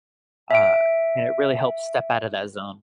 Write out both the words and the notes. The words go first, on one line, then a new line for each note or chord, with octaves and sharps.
Uh, and it really helps step out of that zone.
E5 D7